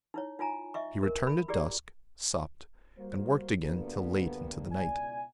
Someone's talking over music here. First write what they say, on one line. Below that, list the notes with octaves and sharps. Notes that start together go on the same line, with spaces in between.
He returned at dusk, supped, and worked again till late into the night.
D#4 E4 C#5
D#4 F4 G#5 A#5
D#5 E5 C#6
A#4
B5
E4 G4 G#4 D5
G3 A#3 F#4 C5
D2 G2 A#3 B3
C#2 B2 E4 D5 G#5